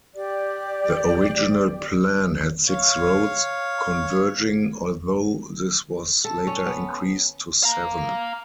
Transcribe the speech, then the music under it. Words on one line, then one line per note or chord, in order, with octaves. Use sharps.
The original plan had six roads converging, although this was later increased to seven.
G4 D5
C#5 F5
A4
C#4
B3
F5 A#5